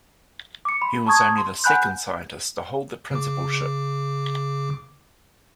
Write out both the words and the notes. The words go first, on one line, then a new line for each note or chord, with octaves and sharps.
He was only the second scientist to hold the Principalship.
D6 C#7
B5 C6
A5 A#5 C#6 D#6 G#6
C6
F#5 G#5 B5 F#6 G6
C#3 D6